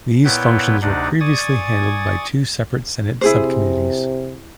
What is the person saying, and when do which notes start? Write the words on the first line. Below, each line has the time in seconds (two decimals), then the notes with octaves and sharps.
These functions were previously handled by two separate Senate subcommittees.
0.24 A#2 B3 E4 B4 C#5 G5
0.82 D2 C3 D4 D#4 D5 F#5
1.20 D5 G#5 C#6 D#6 G#6 A6
3.21 C3 E4 G#4 C5